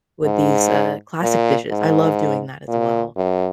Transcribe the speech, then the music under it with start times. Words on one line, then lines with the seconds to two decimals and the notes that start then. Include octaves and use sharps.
with these, uh, classic dishes. I love doing that as well,
0.25 G#2
1.22 A#2
1.71 G#2
2.68 A#2
3.16 F#2